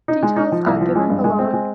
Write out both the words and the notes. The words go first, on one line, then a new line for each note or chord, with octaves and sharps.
Details are given below.
D#4
G#3
D#4
F3
C2
F3
G#3
G2
G#3
C4
G#3